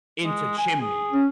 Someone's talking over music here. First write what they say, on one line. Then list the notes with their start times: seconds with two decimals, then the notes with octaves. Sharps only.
into chimneys
0.24 G#3
0.58 G#5
0.81 G#4
1.13 C#4